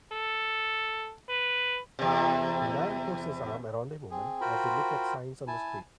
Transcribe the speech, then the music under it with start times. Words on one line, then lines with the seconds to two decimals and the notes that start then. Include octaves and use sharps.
A man puts his arm around a woman as they look at signs on the street.
0.12 A4
1.29 B4
1.99 E2 C3
4.11 C4 G#4
4.41 F4 F#4 A#4 C5 G5 B5
5.47 E4 G#5 A5